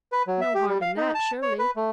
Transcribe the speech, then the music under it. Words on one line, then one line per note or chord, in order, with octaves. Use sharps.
"No harm in that, surely."
B4
F#3
E5
G4
G3
F5
D#4
A5
C#5
B4
A3